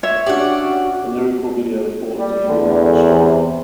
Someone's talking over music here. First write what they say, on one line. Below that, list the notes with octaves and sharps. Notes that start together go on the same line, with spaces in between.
The lyrical video for Do You Believe In Shame?
C#5 E5
C#4 D4 F#4 G4 D5 F#5
G3
E2 D3
C3